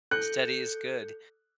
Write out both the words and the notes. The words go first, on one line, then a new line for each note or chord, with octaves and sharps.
Steady is good.
A4 F#6 G6 C#7